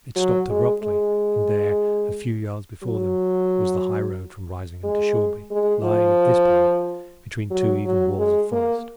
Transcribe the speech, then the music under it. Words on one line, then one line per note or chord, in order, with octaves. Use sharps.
It stopped abruptly; and there, a few yards before them, was the high road from Risingham to Shoreby, lying, at this point, between two even walls of forest.
F#3
G#3
G#3
F#3
G#3
G#3
F3
F#3
F#3
G#3
A#3